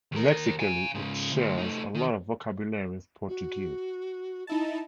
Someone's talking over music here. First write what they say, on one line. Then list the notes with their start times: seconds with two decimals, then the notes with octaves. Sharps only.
Lexically, it shares a lot of vocabulary with Portuguese.
0.12 D#2 A#4
0.59 F5 G#5
0.94 G#2 C#3
1.33 D2
1.58 A3 D#4
1.95 D#3
3.28 F#4
4.47 D#4 E4 D#5 A5